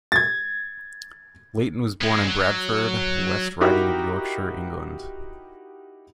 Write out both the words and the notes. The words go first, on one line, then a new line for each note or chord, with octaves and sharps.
Layton was born in Bradford, West Riding of Yorkshire, England.
G#6 A6
G#3 B3
F#3
D#4 E4 F#4 G4 A#4